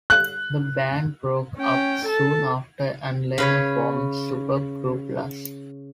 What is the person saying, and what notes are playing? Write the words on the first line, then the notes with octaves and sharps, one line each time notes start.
The band broke up soon after, and Laner formed supergroup Lusk.
F#6
C#4 G5
A4 A5
C#3 B4 C#5